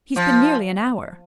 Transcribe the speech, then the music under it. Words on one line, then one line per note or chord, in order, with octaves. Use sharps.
He's been nearly an hour.
F3